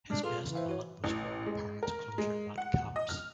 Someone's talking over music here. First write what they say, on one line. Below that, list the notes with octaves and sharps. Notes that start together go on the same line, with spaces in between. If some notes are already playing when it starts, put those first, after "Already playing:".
His best man was former Pirates closer Matt Capps.
G3 G#3 D4
F4 G#4 A4 B4
C#3 E3
C5 E5 F5
F#4 C#5
A1
G#3
A#4
G#3
F#5
D#5
F6